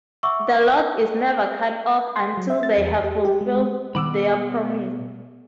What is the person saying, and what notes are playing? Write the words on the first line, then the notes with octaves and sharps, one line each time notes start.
The lock is never cut off until they have fulfilled their promise.
E5 F#5 C#6 D6 E6
C6
F#3
E5
A6
E2
G4
G4
G#3
B2 D#3 G3 B3 F#5 B5 D6 E6